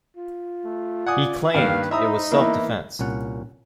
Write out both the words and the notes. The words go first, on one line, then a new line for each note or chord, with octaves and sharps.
He claimed it was self-defense.
F4
A3
D5 F#5 G#5 D#6
G2 D#3 A#3 B4 F5
D#4 E4 C5 E5 A#5 D#6
E3 A#3 B3 E4
C2 A#2 C#4 F#5